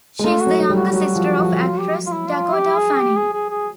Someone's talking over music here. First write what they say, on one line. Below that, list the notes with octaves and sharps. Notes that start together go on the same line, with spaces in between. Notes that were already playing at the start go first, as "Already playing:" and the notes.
She is the younger sister of actress Dakota Fanning.
G#3
A3 F4
F#4
F#3
F#3
G3
F#4
F#3 F#4
F3
F3
G3
F#3 F4
G4
F4
E4
F4
G4
G#4
G4
G#4
G#4
G#4